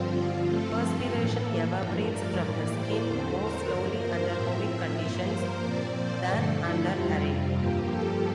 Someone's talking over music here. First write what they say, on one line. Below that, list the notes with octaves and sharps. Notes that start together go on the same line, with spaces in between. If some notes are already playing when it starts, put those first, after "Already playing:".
Perspiration evaporates from the skin more slowly under humid conditions than under arid.
Already playing: G2 D3 F3 C4 F4
F4
G2 F3 A3 C4 A4
A4
A2 E3 A#3
G2 F3 A3 A#4
D5
A2 E3 G3 A#3
C5
E2 D3 A3 C4
A#4
G2 F3 A#3 A#4
C5
A2 F3 C4 E5
E5
G2 F3 A#3 C5
A#4
A#2 F3 C4 D5
C5
G2 D3 F3 A3 A4
E4
F2 C3 G3 C4 F4
G2 F3 A#3 G4
A4